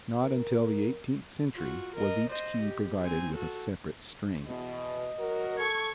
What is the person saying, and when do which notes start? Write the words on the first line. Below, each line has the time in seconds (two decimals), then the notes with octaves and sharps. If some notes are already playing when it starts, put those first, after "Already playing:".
Not until the eighteenth century was each key provided with a separate string.
0.24 A#4
1.54 F4 F#4
1.95 A#4 D#5
2.29 C5 D#5
2.62 G4
3.00 C4 G#5
3.35 F#4 A4
4.47 E2 B2 D#5
5.19 F#3 F#4 A#4
5.59 A4 C#6 G#6